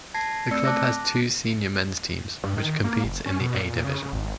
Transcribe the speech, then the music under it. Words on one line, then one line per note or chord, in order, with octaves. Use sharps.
The club has two senior men's teams which competes in the A division.
A5 G#6 A#6 C7
A3 C4 D5 E6 C#7
A5 D6 F#6 A#6
G2
D#3
A#3
F#1
C#4
B2
A#2
C#3
G#1